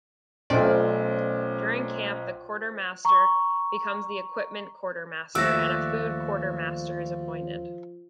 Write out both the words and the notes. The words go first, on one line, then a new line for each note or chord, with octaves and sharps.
During camp, the quartermaster becomes the equipment quartermaster, and a food quartermaster is appointed.
B1 A3 C4 C#4 F4 D5
A#5 C#6
D#2 F3 A3 F#4 D5 E5 E6 A#6